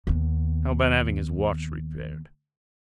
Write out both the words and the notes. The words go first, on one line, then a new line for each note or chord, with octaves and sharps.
"How about having his watch repaired?"
D#2 B3